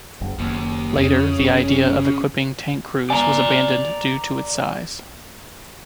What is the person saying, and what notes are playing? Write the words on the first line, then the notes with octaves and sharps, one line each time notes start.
Later the idea of equipping tank crews was abandoned due to its size.
F#1
F#1 D#2
F2 C#3
F#1
D5 G#5 A#5